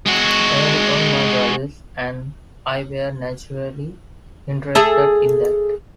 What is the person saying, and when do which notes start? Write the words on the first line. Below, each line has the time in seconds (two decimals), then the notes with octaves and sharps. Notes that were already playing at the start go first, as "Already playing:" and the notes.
Early on, my brothers and I were naturally interested in that.
0.06 G#3 F#4
4.75 G#4 A4 E5